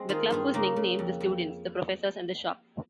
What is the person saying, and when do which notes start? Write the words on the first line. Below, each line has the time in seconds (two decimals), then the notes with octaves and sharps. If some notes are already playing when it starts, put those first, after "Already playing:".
The club was nicknamed The Students, The Professors and The Shop.
Already playing: G#3 C4
0.09 D#3 F4 G#4
0.30 G2 F4 G#4
0.54 C#3 A#3
0.76 C#3
0.99 F2
1.20 F2